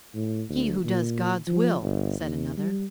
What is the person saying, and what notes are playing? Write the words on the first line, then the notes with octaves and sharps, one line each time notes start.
"He who does God's will," said another.
A2
D2
A#2
F3
G1
D#2
G3